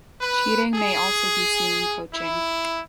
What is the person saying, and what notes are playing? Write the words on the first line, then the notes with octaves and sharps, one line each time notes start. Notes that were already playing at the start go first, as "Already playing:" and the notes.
Cheating may also be seen in coaching.
B4
G#4
E4